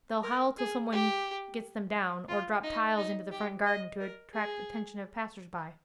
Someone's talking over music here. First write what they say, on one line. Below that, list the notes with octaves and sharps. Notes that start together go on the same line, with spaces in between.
They'll howl till some one gets them down, or drop tiles into the front garden to attract attention of passersby.
A#4
G#4
G4
F4
D#4
D#4
G4
D#5
A#4
G#4